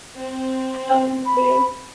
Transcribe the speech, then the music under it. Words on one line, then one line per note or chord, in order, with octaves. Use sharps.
Oh, man.
C4
B5